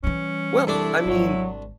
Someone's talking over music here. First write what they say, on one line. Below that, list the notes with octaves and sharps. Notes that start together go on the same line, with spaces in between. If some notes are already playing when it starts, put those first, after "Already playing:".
Well, I mean,
E3 G3 C#4
C2 D4 E4 A4 D5
G#1 F#3